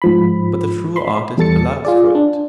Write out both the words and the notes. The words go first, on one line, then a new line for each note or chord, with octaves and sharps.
But the true artist allows for it.
G#2 F3 B5
B5 C6
E2 G3 A4 A6 C#7
F4 G#4 D5
D4